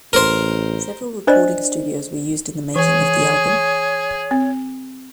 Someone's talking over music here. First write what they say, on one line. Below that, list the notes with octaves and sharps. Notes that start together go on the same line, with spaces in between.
Several recording studios were used in the making of the album.
A1 A#4 C5
D4 C5 D5 D#5
E3 G#4 C#5
C4